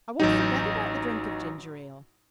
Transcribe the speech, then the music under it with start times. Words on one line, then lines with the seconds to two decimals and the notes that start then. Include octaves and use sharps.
"I won't forget about the drink of ginger-ale."
0.20 A1 F#3 D#4